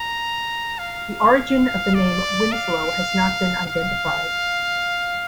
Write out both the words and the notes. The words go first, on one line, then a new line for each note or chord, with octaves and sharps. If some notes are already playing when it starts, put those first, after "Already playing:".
The origin of the name Winslow has not been identified.
Already playing: A#5
F5
D5
F5
F5